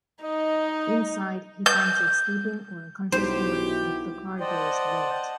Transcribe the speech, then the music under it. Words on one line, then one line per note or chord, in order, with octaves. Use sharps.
Inside he finds a sleeping or unconscious woman with the car doors locked.
D#4 D#5
G6
B1 E4 F#4 G4 C5
C5 D5 D#5 F#5 G5 A5